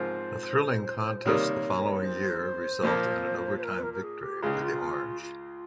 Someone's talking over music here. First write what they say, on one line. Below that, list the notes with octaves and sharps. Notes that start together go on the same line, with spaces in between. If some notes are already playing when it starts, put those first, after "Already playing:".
A thrilling contest the following year result in an overtime victory for the Orange.
Already playing: G#2 F3 C4 F4 A#4 C5
C3 D#3 G3 A#3 C#5
C5
A#2 F3 A#3
C5
A#4
C5
A#4
A#4
G#4
G4
C#2 C#3 G#3 F4
D#4
F4
F4